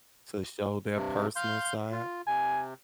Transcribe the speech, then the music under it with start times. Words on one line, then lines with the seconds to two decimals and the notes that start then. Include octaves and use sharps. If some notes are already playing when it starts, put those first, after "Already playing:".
to show their personal side,
0.96 G2 C3
1.36 F5 C6 G6
1.92 F4
2.27 C3 G#5